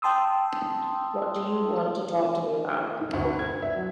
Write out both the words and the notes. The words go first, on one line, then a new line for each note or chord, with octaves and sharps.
What do you want to talk to me about?
G5 A5 C6 D#6 E6
D#4
D2
B4
G#6
E5
F#3